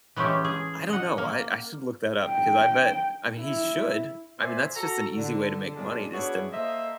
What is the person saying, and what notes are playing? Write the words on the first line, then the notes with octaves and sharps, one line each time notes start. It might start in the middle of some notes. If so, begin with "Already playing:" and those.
I don't know, I I should look that up because I bet I mean, he should. I mean, that's just an easy way to make money is to m
E3 G#3 A3 C#4 G4
G#4
D#5 F#5
A#3
G5
E4
A#2 B3 C5 D5 E5 G#5
F#4 A4 A#5
D3
A#2 F#3 G#3 D4
B3 D4 E4 F#4 G#4 C#5
A#3 A4 C5 D#5 E5